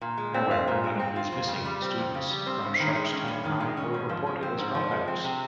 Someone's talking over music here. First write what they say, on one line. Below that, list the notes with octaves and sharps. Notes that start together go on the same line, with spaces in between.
However, none of these "missing" students from Sharpstown High were reported as dropouts.
A#2
G#3
C4
F4
A#2
G#3
C4
F4
F2
C#3
G3
C4
F2
C#3
G3
C4
G2
D#3
G#3
C#4
G2
D#3
G#3
C#4
G#2
F3
G#3
C4
G#2
F3
G#3
C4
C3